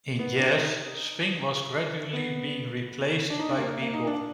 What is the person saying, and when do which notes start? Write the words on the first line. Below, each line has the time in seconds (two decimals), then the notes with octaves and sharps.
In jazz, swing was gradually being replaced by bebop.
0.19 B3
0.39 D4
0.58 D#4
2.13 B3
3.30 D4
3.39 D#4
3.49 D4
3.58 A#3
3.68 A#3
3.82 A#3
3.94 D#4
4.07 D4